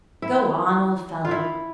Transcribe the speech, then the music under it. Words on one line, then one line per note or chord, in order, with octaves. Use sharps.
"Go on, old fellow."
E4
F4
E4